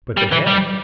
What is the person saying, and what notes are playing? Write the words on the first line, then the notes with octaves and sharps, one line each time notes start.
"But the head?"
G3
E3
G3